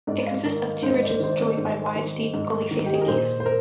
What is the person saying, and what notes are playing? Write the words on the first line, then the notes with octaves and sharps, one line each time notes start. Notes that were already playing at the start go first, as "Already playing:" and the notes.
It consists of two ridges joined by a wide steep gully facing east.
G#2 D5
F5
D#3 A#4
G#2 C5
D5
C5
D#3 C5
D5
G#2
D#3
G#2
D#3
G4
G#4
A#4
A#2 C5
C5
A#4